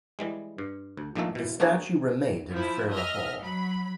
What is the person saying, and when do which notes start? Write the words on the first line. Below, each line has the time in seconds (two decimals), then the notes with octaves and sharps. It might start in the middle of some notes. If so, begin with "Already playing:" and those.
The statue remained in Frere Hall.
0.19 E3 G3 G#3
0.58 G2
0.97 D2
1.15 A#1 A#2 D#3 A3 A#3 A4
1.35 B2 E3
1.60 A#3 D4 F#4 G#4 C#5 A5
2.51 F3 E4
2.90 D#5 E5 F6
3.40 F#3 B5